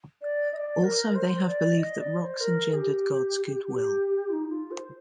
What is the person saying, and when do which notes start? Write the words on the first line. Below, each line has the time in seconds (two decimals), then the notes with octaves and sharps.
Also, they have believed that rocks engendered God's good-will.
0.21 D5
0.52 D#5
0.56 D5
0.83 A#4
1.14 C5
1.46 D5
1.77 D#5
1.99 D5
2.20 D5
2.23 C5
2.40 A#4
2.71 G#4
2.75 G4
3.65 G4
4.28 F4
4.32 D#4
4.49 F4
4.71 C5